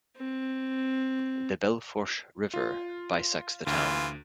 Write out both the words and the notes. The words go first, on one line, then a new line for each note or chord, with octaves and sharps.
The Belle Fourche River bisects the town.
C4
F4
D2 E3 F4